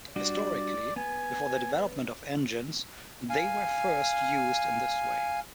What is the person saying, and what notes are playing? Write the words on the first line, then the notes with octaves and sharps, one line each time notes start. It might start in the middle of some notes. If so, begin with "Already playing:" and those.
Historically, before the development of engines, they were first used in this way.
G3 D4 F#4 D5
B3 G#5
F5 G#5